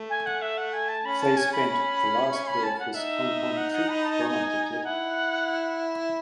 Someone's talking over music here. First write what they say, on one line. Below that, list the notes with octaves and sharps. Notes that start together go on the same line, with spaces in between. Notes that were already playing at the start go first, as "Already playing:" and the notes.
They spend the last day of his Hong Kong trip romantically.
Already playing: A3
G#5
F#5
E5
F#5
G#5
A5
C#4 B5
A5
G#5
B5
B5
C#6
B5
A5
F#5
D#4 E5
F#5
F#5
B5
A5
G#5
E4 F#5